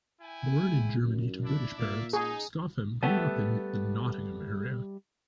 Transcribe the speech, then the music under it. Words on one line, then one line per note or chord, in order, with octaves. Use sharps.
Born in Germany to British parents, Scoffham grew up in the Nottingham area.
E4 G5 G#5
G#3
F#2
D4 E4
A#2 A#3 D5 E5
D#4 G#4
G3 A3 B3 G4 E5 A5